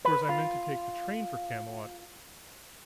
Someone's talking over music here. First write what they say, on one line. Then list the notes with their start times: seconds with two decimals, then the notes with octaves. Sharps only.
Of course, I meant to take the train for Camelot.
0.05 B4
0.29 F4